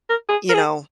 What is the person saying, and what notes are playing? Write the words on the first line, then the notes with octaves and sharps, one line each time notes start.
you know,
A#4
G#4
A#4
G#4